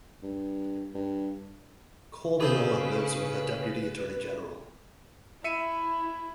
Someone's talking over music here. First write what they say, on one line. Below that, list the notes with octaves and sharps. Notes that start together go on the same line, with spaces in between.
Colby Nolan lives with a deputy attorney general.
G2
G2
C#3 G#4 A4 B4 C5
E4 E5 C#7 D#7